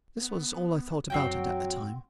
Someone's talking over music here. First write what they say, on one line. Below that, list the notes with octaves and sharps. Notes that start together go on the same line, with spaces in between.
This was all I thought about it, at the time.
B3
F#2 F#3 C4 F#4 G5